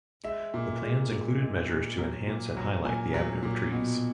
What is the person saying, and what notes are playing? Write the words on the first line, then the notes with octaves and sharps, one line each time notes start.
The plans included measures to enhance and highlight the avenue of trees.
G#3 E5
A#2
G#3
A#2
G#3
A#2
F#3
A#2
F#3
A#2 G#5
F#3
A#2
B2